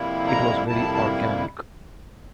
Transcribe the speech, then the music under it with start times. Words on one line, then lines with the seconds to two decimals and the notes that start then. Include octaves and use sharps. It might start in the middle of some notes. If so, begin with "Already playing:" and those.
It was very organic.
Already playing: F2 C3 G3 A#3 E4
0.28 A#5
0.67 F2 C3 G3 A#3 E4 A5
0.94 A5